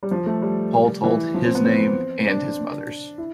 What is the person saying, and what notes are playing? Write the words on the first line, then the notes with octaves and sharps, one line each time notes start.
Paul told his name and his mother’s.
G3
F3
A3
G3
E3
F3
C4
B3
C4
D4
E4